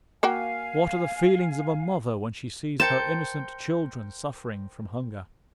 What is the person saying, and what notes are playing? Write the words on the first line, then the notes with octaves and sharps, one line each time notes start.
What are the feelings of a mother when she sees her innocent children suffering from hunger!
A#3 F#4 F5 G5 G#5
A#4 C5 G5 A5 C6 G6 C#7